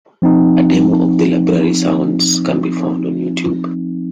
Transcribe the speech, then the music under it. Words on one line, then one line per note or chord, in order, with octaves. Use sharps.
A demo of the library sounds can be found on YouTube.
F3 C4 D#4